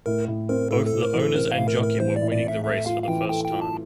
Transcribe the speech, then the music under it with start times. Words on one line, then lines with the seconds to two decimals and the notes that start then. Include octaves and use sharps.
Both the owners and jockey were winning the race for the first time.
0.06 A2 A#4
0.28 A2
0.49 C4 A#4
0.71 A2 A4
0.87 A4
0.92 A2
1.03 A#4
1.14 E3
1.19 A4
1.35 C4 A#4
1.52 A2 F5
1.68 A#4
1.78 A2
1.84 A#4
2.00 E3 C5
2.16 D5
2.21 A2
2.32 D5
2.43 A2
2.48 E5
2.64 A4 E5
2.86 F4 F5
3.03 F5
3.08 E3 G5
3.29 A4 G5
3.45 G5
3.50 F4
3.62 A5